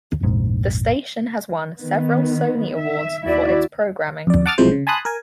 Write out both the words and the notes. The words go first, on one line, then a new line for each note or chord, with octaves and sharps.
The station has won several Sony Awards for its programming.
F1 A#1 G#2
D#3 B3
E5
D#2 E4 F#4 D5 E5
F2 D5
F#5 A5 D6 D#6 F6 A6
B1 C3 F3 G#3 E4 C5
C#3
G#5 A5 B5 C6 D#6 F#6
A#4 G#5